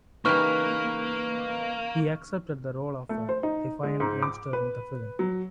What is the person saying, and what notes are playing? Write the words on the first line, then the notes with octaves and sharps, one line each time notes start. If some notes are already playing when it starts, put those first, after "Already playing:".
He accepted the role of a defiant youngster in the film.
C#3 E3 G3 A#3 D#4 B4 C#6 F6
A3
C5
D#4
G#3
G#2
D6
B4
F#3